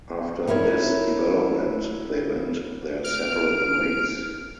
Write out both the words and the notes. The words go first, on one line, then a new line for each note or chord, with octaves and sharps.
After this development, they went their separate ways.
D#4 E4 A#4 C#5
F6 D7